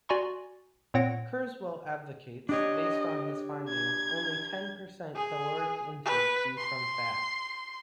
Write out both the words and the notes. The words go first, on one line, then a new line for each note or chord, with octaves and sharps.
Kurzweil advocates, based on his findings, only ten percent caloric intake be from fat.
F#4 D5 G#5 A#5 C6 C#6
A#2 C4 C#5 F#5 A#6 D7
D4 G4 C#5 D#5
G#6
G#4
B4
C6